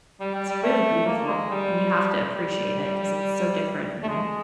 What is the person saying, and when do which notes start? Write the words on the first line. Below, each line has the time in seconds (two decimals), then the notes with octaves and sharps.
it's really beautiful, and you have to appreciate it 'cause it's so different and
0.20 G3
0.35 G3
0.49 G3
0.63 A3
1.06 A#3
1.27 G#3
1.50 G3
2.35 G3
4.03 A3
4.08 G#3